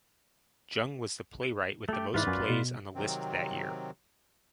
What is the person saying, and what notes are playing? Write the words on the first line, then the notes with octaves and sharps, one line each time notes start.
Jung was the playwright with the most plays on the list that year.
A3 G4
G#2 E3 E4 F4 B4 D5
F#2 F#4 G#5
B2
C3 D#3 F#3 C4